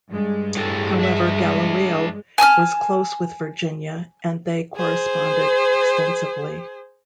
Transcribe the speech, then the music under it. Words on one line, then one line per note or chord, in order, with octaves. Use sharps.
However, Galileo was close with Virginia, and they corresponded extensively.
G2 G#3
A2 G4 A4
D4 E5
G#5 A5 E6 F6
G#4 C5